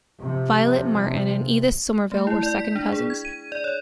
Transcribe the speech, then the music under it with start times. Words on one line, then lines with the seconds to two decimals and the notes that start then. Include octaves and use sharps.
Violet Martin and Edith Somerville were second cousins.
0.23 C3 F3
2.12 A3
2.27 E4
2.43 D5
2.60 B6
2.75 D4
2.92 G#4
3.10 G#6
3.25 D#7
3.52 D5
3.64 C#5